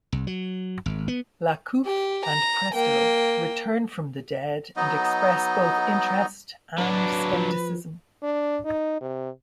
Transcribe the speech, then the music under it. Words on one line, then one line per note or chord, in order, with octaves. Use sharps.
Lacouf and Presto return from the dead and express both interest and scepticism.
C2
F#3
G#1
B3
G4
A#5
A#3 G5
F#3 B3 D#4 D#5
F#3 D4 B4
F3
D4
D#4
C3